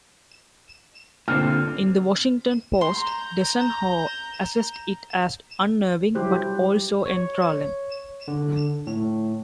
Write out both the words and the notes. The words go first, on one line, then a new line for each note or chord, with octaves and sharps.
In "The Washington Post", Desson Howe assessed it as "unnerving but also enthralling".
A#2 D3 C4 F6
A#5 C6 G6
F#3 G3 E4 G4 C5
C#5
D3
A2